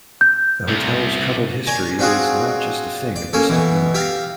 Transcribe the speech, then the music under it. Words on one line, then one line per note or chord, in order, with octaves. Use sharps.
The Hotel's troubled history is not just a thing of distant memory.
G6
C2
C#5 D5 G#5 A#5
C4 D4 F4 F#4 G#4
D5
A#3 C#4 A4
B2 E3
G4 E5 F5